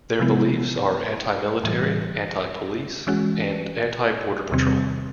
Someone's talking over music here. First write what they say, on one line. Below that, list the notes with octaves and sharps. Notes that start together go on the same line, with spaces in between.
Their beliefs are anti-military, anti-police, and anti-border patrol.
C3 F3 G#3 B3 E4
A2 E3 G3
E3 G#3 C#4 F#4
E2 C3 D#3 G3 C4